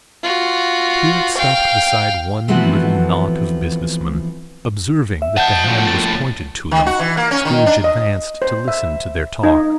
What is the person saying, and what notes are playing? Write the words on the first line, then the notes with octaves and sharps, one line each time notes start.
The Spirit stopped beside one little knot of business men. Observing that the hand was pointed to them, Scrooge advanced to listen to their talk.
F4 F#4
F5 G5
E3 F3 A3 B3 C4 F#4
E5
D#5 F#5 A5 G6
A2 F3
A6
D#3
F#4
E3
A#3
C#4
D#3
D4
D#5
C5
E5
D#4